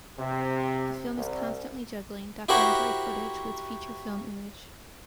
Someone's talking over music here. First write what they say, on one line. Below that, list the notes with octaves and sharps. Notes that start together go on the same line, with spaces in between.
The film is constantly juggling documentary footage with feature film image.
C3
C2
E4 F#4 G4 A#4 C5 F#5